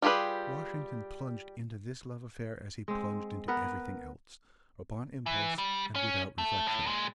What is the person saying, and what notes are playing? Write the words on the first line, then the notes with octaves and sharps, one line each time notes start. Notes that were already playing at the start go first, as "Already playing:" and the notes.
Washington plunged into this love affair as he plunged into everything else--upon impulse and without reflection.
G3 F4 G4 G#4 B4
G#3 C4
B3 A#4 B4 F#5
E3
G3
C#4
A3
A2
A#2 G#3